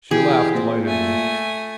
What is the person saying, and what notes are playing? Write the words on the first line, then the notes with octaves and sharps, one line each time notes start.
She laughed delightedly.
E3 G4 G#4
A#2 C4
A3 G#5